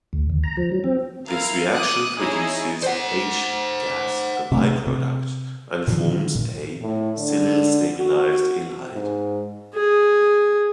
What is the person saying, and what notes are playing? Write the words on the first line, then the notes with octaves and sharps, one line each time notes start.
This reaction produces H gas a by product, and forms a silyl-stabilised ylide.
D2
D#2
A#5
F3
F#3
C4
E4 A#4 F5
D6 D#6 F#6
D#4 E4 G#4 C#5 D#5
C5 F#5
C3 A3
C3
A#2 D3 D#3 F3
A#2
A2
D3
F#4
G#2
G#4